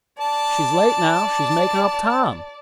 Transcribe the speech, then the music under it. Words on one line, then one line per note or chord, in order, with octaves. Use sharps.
"She's late now, she's makin' up tahm!"
D5 A5